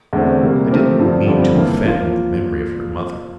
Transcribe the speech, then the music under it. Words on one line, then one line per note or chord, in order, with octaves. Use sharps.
I didn't mean to offend the memory of your mother.
E2 D3 A3 C4
C3 G3 A#3
F3 A3 C4 G4 A#4
G2 D3 F3 C4
F2 D3 G3 C4 F4
G2 E3 A#3
F3 A#3 F4